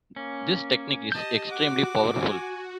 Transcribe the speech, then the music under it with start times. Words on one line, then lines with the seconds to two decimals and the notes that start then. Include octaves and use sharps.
This technique is extremely powerful.
0.16 A#3 C#4
1.12 G4 D#5 A5 G6
1.51 F#4 F#5 D6
2.20 G#5